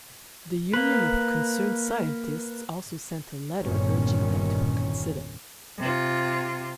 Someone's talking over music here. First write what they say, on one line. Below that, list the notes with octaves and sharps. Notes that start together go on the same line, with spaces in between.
The Union of Concerned Scientists also sent a letter urging them to reconsider.
A#3 B4
G1 E2 G2 A#2 D#3 C#4
C3 F4